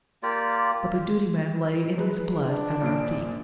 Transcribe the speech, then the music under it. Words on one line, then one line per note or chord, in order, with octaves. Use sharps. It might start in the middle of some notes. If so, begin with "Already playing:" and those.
But the duty man lay in his blood at our feet.
A#3 F4 G4 D5
F#3 G#3 B4
D4
A#1 A#2 D7